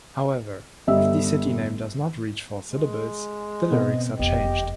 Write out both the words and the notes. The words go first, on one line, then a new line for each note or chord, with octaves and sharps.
However, if the city name does not reach four syllables, the lyrics are changed.
G1 G3 D#5 E5 E6
G#3
B2 B3 C4 D#5
F#1 F2 B3 G4 D#5